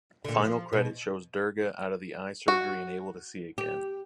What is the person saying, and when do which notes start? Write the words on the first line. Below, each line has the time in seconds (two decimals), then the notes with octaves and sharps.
Final credit shows Durga out of the eye surgery and able to see again.
0.25 A#2 D3
0.45 F3
0.73 B2
2.48 F#4
3.58 G4